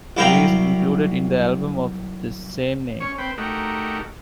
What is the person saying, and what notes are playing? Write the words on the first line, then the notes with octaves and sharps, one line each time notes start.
It is included in the album of the same name.
C2 F#3 E4 F5 G5 A#5
C#4 C#5
C4 B4 G5
A3 D#4 F#4 G4 A#4